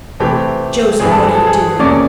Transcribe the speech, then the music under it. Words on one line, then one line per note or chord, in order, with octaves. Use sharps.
"Josie, what are you doing?"
C3 E3 A3 C4 G4
G2 E3 G#3 C4 G#4
A4
G#4
A4
G#4
E2 C3 F3 A#3 C#4 D5